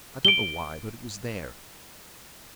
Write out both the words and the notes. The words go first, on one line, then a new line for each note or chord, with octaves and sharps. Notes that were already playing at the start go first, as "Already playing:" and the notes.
I don't know why, but it was there.
D7 G7